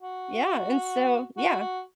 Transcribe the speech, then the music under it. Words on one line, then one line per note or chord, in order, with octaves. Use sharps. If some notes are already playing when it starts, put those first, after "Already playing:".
Yeah, and so yeah.
F#4
F#4
F#4